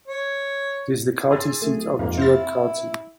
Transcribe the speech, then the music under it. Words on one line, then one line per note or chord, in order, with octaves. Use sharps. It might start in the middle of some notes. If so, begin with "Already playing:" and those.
It is the county seat of Juab County.
C#5
G#4 C6 E6 A6
D1 A3
F2 G#2 C3 A#3 F5
E4 C5 F6 A6